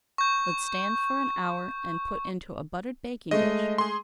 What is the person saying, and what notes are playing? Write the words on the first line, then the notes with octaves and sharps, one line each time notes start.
Let stand for an hour and put into a buttered baking-dish.
C#6 G6
G#3 A3 D#5
G#4 C6